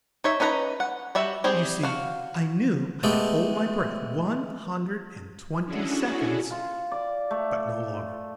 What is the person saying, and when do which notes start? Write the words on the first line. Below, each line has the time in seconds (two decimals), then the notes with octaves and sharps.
You see, I knew I could hold my breath one hundred and twenty seconds, but no longer.
0.24 D#4 C#5 E5
0.40 C#4 D#4 B4 F#5 A#5
0.80 F#5
1.15 G3 F#4 E5
1.44 G3 C4 G#4
1.83 F#4 F5
3.03 G#3 A3 B3 G4 A4
5.65 C#4 D4 E4 F#4 G#4 A4
6.51 F4
6.91 D5
7.31 A3